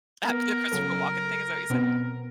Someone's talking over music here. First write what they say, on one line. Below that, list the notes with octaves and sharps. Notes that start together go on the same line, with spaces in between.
Uh, the Christopher Walken thing, is that what you said?
B3 A#4
C#3 F#3 A4
B2 B3 C4